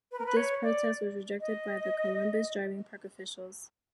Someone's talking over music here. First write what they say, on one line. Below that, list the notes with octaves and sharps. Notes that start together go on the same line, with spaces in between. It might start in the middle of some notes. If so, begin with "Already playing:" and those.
This protest was rejected by the Columbus Driving Park officials.
B4
A#4
B4
C#5
D5
D#5